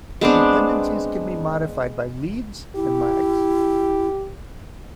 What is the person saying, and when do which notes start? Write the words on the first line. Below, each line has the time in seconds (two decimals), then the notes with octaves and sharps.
Dependencies can be modified by leads, and lags.
0.21 G#3 B3 C4 D4
2.76 E4 G4